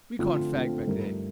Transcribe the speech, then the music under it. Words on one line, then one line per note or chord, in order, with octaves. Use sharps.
We can't fag back there.'
D3 F3 A3 C4 F4
D3 F3 A3 C4 F4
G2 F3 A3 D#4 A#4